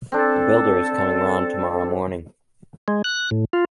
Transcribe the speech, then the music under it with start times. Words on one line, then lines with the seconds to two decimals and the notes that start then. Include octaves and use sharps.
The builder is coming round tomorrow morning.
0.12 C4 D4 A4
2.88 G#3
3.04 F#6
3.31 A2
3.53 F4